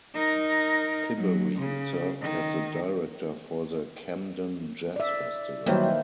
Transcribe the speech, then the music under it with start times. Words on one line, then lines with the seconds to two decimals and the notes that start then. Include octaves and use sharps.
Tiberi served as the director for the Camden Jazz Festival.
0.15 D#4 A#4
1.16 F#3
1.59 C#3
2.22 D#3
4.96 D5 E5
5.66 D#3 E3 F#3 G3 A#3 G4 C5